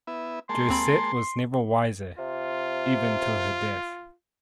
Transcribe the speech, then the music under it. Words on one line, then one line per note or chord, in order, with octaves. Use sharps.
Josette was never wiser, even to her death.
B3 E4
G#3 A#3 A5 C6
D#2 C4 B5
C3 F4